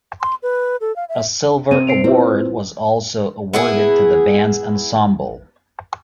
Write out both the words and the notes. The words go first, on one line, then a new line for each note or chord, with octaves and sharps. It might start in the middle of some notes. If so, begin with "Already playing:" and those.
A silver award was also awarded to the band's ensemble.
C6
B4
A4
F5
E5
C3 C4 D#7
C7 D7 F7
C4 E4 F4 B4
B3 E4 G#4